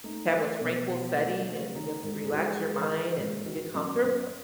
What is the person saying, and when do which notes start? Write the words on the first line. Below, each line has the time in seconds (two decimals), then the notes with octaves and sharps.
have a tranquil setting and just relax your mind and get comfortable.
0.04 A3 D#4
0.32 A3
0.61 B2
0.89 B2
1.18 A3
1.46 A3
1.75 D#3 D#4
2.03 G#2
2.18 A4
2.25 G#4
2.32 G#2 F#4
2.40 G#4
2.60 G#3
2.89 D#3
3.18 G#2
3.46 D#3 F#4
3.75 F#2
4.03 F#2